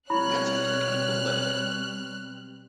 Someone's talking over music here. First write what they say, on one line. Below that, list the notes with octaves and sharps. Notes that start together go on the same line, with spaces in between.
That's actually kinda cool that
B2 G3 C4 E4 C#5 B5 F6 F#6